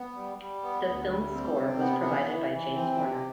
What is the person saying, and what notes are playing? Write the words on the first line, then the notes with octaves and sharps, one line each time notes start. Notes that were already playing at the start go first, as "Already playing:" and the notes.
The film's score was provided by James Horner.
Already playing: B3
G3
G3
B3
D2
G3
C4
C3
B3
E3
E3
E3
C4
C3